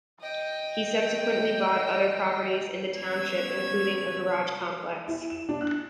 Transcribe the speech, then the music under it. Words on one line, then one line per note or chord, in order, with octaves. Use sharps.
He subsequently bought other properties in the township, including a garage complex.
D#5 G5
G3 B3 C#4 E6 G#6
E4
E7
D4
F#6